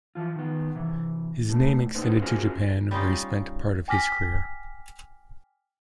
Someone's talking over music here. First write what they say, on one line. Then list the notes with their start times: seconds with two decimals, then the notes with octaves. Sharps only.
His name extended to Japan where he spent part of his career.
0.15 E3 F3 F4
0.36 D#3 B3
0.75 C3 E3
1.49 B2 A3
1.95 A#3 C#4 D#4 B4 C5
2.22 C#4 F4 F#4 G#4 A#4 C5
2.91 G3 C#4 D#4 F4
3.88 G5 G#5 D6 F6 A#6 B6